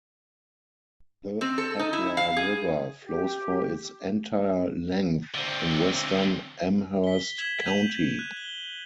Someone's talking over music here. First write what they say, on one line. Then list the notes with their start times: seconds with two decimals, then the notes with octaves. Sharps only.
The Pedlar River flows for its entire length in western Amherst County.
1.41 C4
1.58 A4
1.79 D#4
1.93 E4
2.17 F5
2.37 G#4
3.03 G4
5.35 D3 C4
7.04 B6 G7
7.38 G#6 B6 E7 F#7
7.66 G6 D#7 F7 F#7
8.19 F#6
8.37 G7